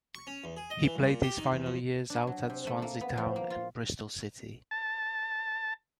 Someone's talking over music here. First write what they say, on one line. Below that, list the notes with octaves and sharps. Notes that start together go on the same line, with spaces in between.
He played his final years out at Swansea Town and Bristol City.
C#6
C#4
E2
G#4
D#5
E3
C2
A#2
G4
D#3
E2
F2
D4
F#3
C3
A3
A#3
B3
F3
A#3
F4
A5